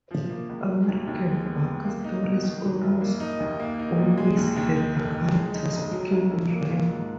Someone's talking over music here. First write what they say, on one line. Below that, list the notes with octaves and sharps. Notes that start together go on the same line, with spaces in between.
American Bucky stories almost always had the characters speaking in rhyme.
F3
A#3
C#2
F#3
D#2
D#2
G#3
B3
C#2
A#3
D#4
B2
D#3
F#3
F#1
A#3
D#4
D#2
A#3
D#4
A#2
G#3
D#2
D#2
D#3
F1
F1
G#3
D#4
B1
F#3
B1
B1
A#3
F4
G#2